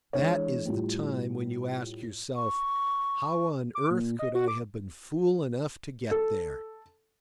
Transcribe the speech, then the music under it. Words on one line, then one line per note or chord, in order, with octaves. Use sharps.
That is the time when you ask yourself, How on earth could I have been fool enough to get there?
E3 G#3 D4 C#5
A2 G3 F4
C#6
D6
A#2
D#5
F#4
D6
A4